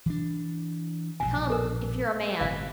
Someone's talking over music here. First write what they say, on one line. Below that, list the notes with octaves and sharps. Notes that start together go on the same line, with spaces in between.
"Come--if you're a man!"
E3 D4
A#1 G2 B2 G#5
A4 A#4
G1 A2 C3 F5